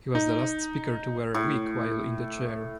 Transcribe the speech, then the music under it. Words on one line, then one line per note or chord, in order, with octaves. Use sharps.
He was the last Speaker to wear a wig while in the chair.
D#4
A2